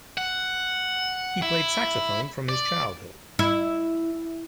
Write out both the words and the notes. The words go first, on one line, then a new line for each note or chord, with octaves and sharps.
He played saxophone from his childhood.
F#5
E4
D5
E4